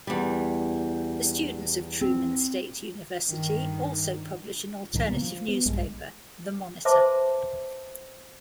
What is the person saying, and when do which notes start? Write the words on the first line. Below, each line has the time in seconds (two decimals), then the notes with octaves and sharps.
The students of Truman State University also publish an alternative newspaper, "The Monitor".
0.07 E2 G3
2.01 C4
3.30 G2 D#3
4.93 C2 A2 D#3 F3
5.08 C#3 G#3 A#3 B3
5.21 F3
5.48 B3
5.66 A#1 G2 G#3
6.85 B4 C5 E5 A5 C6 D6